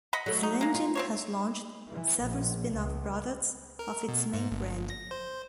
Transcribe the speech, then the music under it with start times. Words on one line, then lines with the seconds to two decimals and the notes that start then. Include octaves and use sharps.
Slim Jim has launched several spin-off products of its main brand.
0.13 D#5 F#5 B5
0.26 F#3 A3
0.43 D#4
0.61 G#3 A#3
0.75 F4
0.95 C4 C5 C#5
1.89 E3
2.18 A#1
2.71 C#2
3.79 A#4
4.08 B2
4.34 G#2
4.51 G1
4.90 A#6
5.11 C5